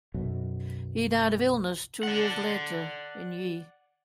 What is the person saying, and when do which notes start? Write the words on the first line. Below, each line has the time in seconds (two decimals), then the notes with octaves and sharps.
He died of illness two years later in Ye.
0.14 B1 F#2 B2
2.03 D5 F#5